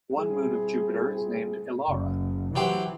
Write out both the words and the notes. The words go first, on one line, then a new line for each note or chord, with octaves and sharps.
One moon of Jupiter is named Elara.
G3 C4 E4 G4 G#4
F#1
E3 F#3 G4 C5